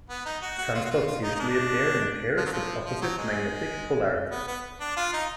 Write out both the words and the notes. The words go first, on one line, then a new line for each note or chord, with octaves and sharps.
Sunspots usually appear in pairs of opposite magnetic polarity.
B3
D#4
F#4
F#4
F4
F#4
F4
F4
D#4
D#4
D4
F3
F#3
F3
F3
F#3
G#3
B3
B3
D4
F4
D#4